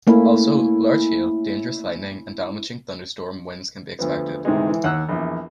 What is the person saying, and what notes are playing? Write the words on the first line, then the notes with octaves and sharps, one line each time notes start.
Also, large hail, dangerous lightning and damaging thunderstorm winds can be expected.
A3 A#3 C#4 E4
D2 F3 B3
D2 G#2 C3 D#3 E3 G#3
E3
D#2 F#5 E6 F#6
A#1 E2